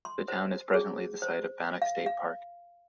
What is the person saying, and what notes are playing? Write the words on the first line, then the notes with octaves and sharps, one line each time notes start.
The town is presently the site of Bannack State Park.
C6
C5
G#4
C5
F5
F5